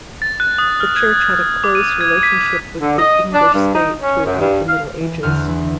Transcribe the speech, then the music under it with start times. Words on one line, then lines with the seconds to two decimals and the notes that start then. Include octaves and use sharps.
The Church had a close relationship with the English state throughout the Middle Ages.
0.22 A6
0.40 F#6
0.58 D#6
0.80 F6
0.96 G#6
1.64 D6
1.75 D#7
2.01 G#6
2.23 B6
2.80 D3
2.97 D#5
3.32 D4
3.53 G2
3.74 D#4
4.00 C#4
4.24 F#2
4.38 G2
4.67 F5
5.01 E3
5.23 E2 D3 F6
5.48 E3